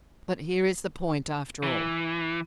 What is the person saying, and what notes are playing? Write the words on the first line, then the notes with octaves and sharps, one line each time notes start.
But here is the point, after all.
E3